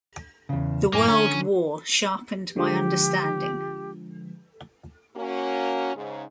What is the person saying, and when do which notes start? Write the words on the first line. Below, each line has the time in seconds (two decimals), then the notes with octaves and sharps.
The World War sharpened my understanding...
0.49 E2 C#3
0.93 F#2 A2 A#3 G#5
1.08 D3 C#4 A#5
2.56 D3 F3 G#3 G4
5.16 A#3 C#4 F#4
5.95 G#2 C#3